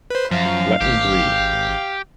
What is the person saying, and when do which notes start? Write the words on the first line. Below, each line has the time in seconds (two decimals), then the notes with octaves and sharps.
Let me breathe!
0.10 B4 C5
0.31 F#2 F3 F5
0.81 G#1 G4